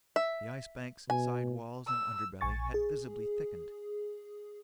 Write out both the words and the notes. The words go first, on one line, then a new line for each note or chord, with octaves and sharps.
The Ice Bank's side walls and underbelly had visibly thickened.
E5
B2 G#5
E6
A#1 G#5 C#6 A6
G#4